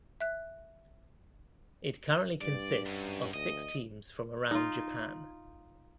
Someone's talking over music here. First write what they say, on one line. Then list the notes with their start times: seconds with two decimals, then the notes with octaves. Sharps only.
It currently consists of six teams from around Japan.
0.21 E5 F#6
2.41 G2 D5
2.86 F#2
3.34 D2 D#5
4.51 D#4 F4